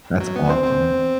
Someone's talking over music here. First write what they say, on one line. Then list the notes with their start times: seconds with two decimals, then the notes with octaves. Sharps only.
That's awesome.
0.20 F#3
0.36 B3
0.49 C4 C5
0.64 C4